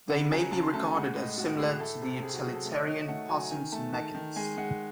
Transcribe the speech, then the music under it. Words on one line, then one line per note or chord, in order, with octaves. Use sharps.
They may be regarded as similar to the utilitarian posends and negends.
C#3 F#5
F#3 G#5
C#3 A5
C6
A3 A5
G#5
G#3 F#5
A2 D#5
A2 F#4
A2 G#4
A3 A4
C3
C3 G#4
F#4
F#3 G#4
A4
A3
D#5
C#5
D#3 D#5
D#5
A3 F#5
F#3 G#5
D#3 G#5
A3 A5
D#3 A5
D#3
G#3 G#5
G#3 F#5